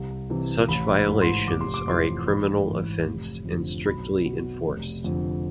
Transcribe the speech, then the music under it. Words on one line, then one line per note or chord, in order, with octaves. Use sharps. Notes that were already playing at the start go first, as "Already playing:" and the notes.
Such violations are a criminal offense and strictly enforced.
Already playing: C2
C3 E3
A1 B5
B5
G#2 E3
C6
F1 D6
C6
D6
F2 E3 C6
A1 B5
G#2 E3
F1
F2 D3
B1 B5
B2
F1
F2 D3